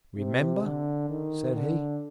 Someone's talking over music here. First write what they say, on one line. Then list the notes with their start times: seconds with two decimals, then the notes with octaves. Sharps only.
"Remember!" said he.
0.16 C3
0.63 D3
1.09 D#3
1.55 D3